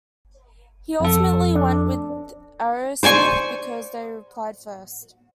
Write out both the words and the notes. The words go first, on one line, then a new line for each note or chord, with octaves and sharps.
He ultimately went with Aerosmith because they replied first.
F2 A4
D4
C5 D5 G#5 C#6